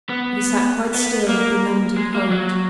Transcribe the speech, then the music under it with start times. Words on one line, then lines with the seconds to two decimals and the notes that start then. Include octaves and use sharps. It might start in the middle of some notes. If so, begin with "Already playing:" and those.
But he sat quite still, benumbed and cold.
0.09 B3
0.95 B3
1.29 A#3
1.97 G#3
2.15 A#3
2.31 F#3